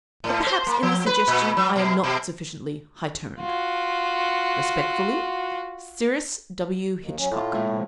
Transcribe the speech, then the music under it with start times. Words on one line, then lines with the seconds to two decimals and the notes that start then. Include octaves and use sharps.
But, perhaps in this suggestion I am not sufficiently high-toned.--Respectfully, CYRUS W. HITCHCOCK.
0.24 A2
0.47 C5
0.67 A#3
0.83 F3
1.06 B4
1.28 A#2
1.57 F#3
1.76 B2
2.04 B2
3.41 F4 F#4
6.98 D#2
7.17 F#3 C#4
7.31 A2 F4
7.53 A#2 G#3 E5
7.72 C3 F3